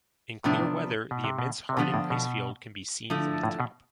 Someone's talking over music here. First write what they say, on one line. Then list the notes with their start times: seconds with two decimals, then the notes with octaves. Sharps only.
In clear weather the immense Harding Icefield can be seen from the top.
0.44 A2 C3 F3 B3 D4
1.11 B2
1.24 C3
1.39 B2
1.69 C3
1.77 B2 D3 F3 B3 D4 F4
1.94 A2
2.10 B2
3.10 D3 F3 A3 E4
3.43 A2
3.60 B2